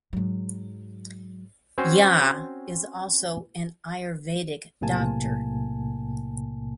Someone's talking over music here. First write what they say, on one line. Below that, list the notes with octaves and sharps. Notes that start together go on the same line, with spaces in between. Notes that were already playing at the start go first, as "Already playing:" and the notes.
Jha is also an Ayurvedic Doctor.
G#2 F#3
C4 C#4 F#4 C5 G#5
B1 A2 C3 A#3 G#5 A5